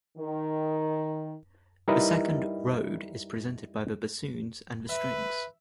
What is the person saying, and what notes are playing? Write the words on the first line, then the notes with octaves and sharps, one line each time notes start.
The second "road" is presented by the bassoon and the strings.
D#3
G3 D#4 E4 A#4 B4 D#5
B4 E5